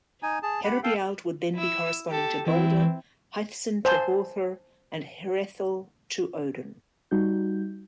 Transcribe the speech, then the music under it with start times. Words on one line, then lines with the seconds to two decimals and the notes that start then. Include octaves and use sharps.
Herebeald would then be corresponding to Balder, Hæþcyn to Höðr and Hreðel to Odin.
0.23 D#4 G#5
0.43 G#4 A5
0.64 G4 F#5 B5
0.83 A4 F5 G5
1.54 E4 E6
2.07 G4 A4
2.46 E3 C4 E4
3.85 C5 G#5 A5 C6
7.11 G3 D#4 F#4 G6